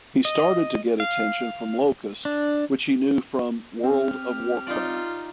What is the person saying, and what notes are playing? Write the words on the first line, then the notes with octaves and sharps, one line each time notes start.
He started to get attention from Locust which he knew from "World of Warcraft".
D#5
F5
D4
C4 G4 F6
D#4 F4 D5